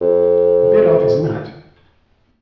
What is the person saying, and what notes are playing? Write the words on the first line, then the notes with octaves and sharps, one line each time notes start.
Bit off his nut.
F2